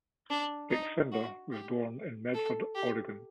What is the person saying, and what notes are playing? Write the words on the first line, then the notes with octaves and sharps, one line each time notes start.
Vic Snyder was born in Medford, Oregon.
D4
D#4
F#4
G4
A4
G4